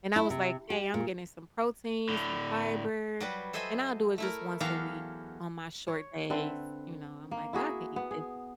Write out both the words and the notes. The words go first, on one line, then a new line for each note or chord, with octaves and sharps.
And I was like, "Hey, I'm getting some protein, some fiber, and I'll do it just once a week on my short days," you know, I'm like, "Well, I can eat this."
E4
C3
G4
A#2
A2 D3
F#3 G3 B4
A4 C5 D#5 E5 G#5 B5
A3 E4 A#4
E2 F#3 G4 A4 F5 A#5
C#5
D3 C4 B4 E5
A#3
E4 F#4 G#4 E5
B3
G#4